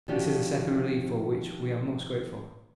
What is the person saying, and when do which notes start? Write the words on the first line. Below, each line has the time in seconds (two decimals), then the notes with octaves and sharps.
This is a second relief for which we are most grateful.
0.08 D#3 F3 C#4 D4 F#4 G4